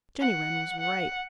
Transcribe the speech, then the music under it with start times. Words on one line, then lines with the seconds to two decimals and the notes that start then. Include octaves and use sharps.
Jenny Wren was right.
0.20 F#5
0.80 F#5